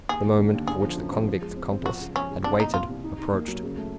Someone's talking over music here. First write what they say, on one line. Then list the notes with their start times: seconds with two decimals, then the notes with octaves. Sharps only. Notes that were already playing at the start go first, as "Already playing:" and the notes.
The moment for which the convict's accomplice had waited approached.
0.09 D#2 G#4
0.24 D#2
0.38 D3
0.53 D#2
0.67 D3 G#4
0.83 F3
0.97 F#2
1.12 F3
1.27 F3
1.41 G#3
1.56 C4
1.71 C4
1.85 F3 F#4
2.00 C#2
2.15 F3 C#4
2.30 C#2
2.44 C2 D4
2.60 A#2 D#4
2.74 C2 F4
2.89 C2
3.04 D#4
3.18 D#4
3.33 A#3
3.48 F#3
3.63 C#3
3.78 A3